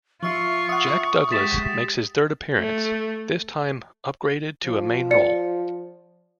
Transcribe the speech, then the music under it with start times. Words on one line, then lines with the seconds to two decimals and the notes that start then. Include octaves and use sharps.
Jack Douglas makes his third appearance, this time upgraded to a main role.
0.23 F3 F4 E5 C#6
0.69 E5 F#5 D#6
1.31 G#3 G4 A6 B6 E7
2.57 A3
4.65 F3
5.11 D5 C#7